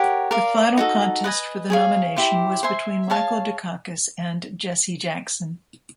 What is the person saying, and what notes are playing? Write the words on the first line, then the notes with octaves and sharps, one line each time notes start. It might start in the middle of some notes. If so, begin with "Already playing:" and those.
The final contest for the nomination was between Michael Dukakis and Jesse Jackson.
Already playing: G4 A#4 C#5 F#5
A#4 D5 F5
D#4 F#4 A4
B4 D#5 G#5
G#4 C#5 F5
E4 G4 C5
C5 E5 G#5 C6
G#4 C#5 F5 A5